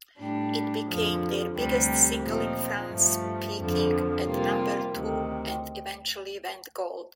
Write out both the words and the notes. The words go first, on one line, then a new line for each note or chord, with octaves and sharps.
It became their biggest single in France-peaking at number two--and eventually went Gold.
A2 G3 D4
F2 D3 F3
D2 C3 G3
A#2 F3 C4 D#4
G2 F3 A3
F2 D3 F3
C3 G3 A#3 F4
D2 C3 D#3